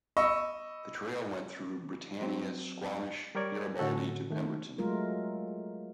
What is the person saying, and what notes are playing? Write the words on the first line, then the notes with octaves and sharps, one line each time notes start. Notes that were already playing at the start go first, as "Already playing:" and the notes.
The trail went through Britannia, Squamish, Garibaldi to Pemberton.
D#5 B5 C#6 E6
F#3 C4
G3 G4 A#4 C#5 D5 G#6
A2 D3 F#4 A4
D#3 A3
F#3 G#3 A3 F4 A#4